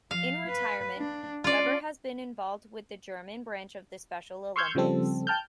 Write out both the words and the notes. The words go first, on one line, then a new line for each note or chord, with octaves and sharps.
In retirement, Weber has been involved with the German branch of the Special Olympics.
F3 F5
B4
D4
C#4 F4 D5
C6 C#6 E6 F6 G6 G#6
C#3 F3 G3 C4 A4
G5 A5 F6 G6